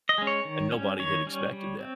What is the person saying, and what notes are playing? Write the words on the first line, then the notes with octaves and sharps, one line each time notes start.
and nobody had expected that.
D#5
G#3 C#4
C#5
D#3
G3 C#4
D#3 C#5
G3 C#4
G3
C4